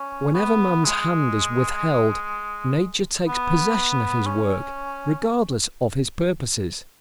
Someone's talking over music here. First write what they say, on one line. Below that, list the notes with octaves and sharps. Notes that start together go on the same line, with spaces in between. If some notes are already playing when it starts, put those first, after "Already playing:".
Whenever man's hand is withheld, nature takes possession of his work, regardless of his purposes.
Already playing: C#4
B3
G#3
B3
C#4